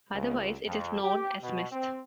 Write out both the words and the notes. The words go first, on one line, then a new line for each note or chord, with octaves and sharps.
Otherwise it is known as mist.
C#2
F2
G4
B2
C4